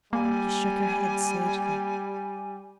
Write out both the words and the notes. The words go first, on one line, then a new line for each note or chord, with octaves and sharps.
She shook her head sagely.
G3 A#3 G#5